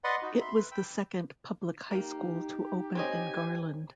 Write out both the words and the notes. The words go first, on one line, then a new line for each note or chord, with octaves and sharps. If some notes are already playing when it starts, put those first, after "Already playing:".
It was the second public high school to open in Garland.
B4 D5 D#5 F#5 B5 C6
D#4 F#4
E5 B5 C6
B4
G5 B5 E6
A#3 D#4 G4
C4 C#4 D#5 G#5